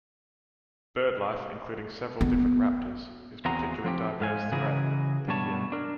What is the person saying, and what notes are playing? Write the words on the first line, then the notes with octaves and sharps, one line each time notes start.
Bird life, including several different raptors, is particularly diverse throughout the year.
B3
E2 A#3 C4 F#4 G#4 A#5
F3 C4 G4
G#2 F5 G#5
C#3 E3 F#3 G#4 A#4
G2 B2 G3 A3 C#5 A5
D4 A#4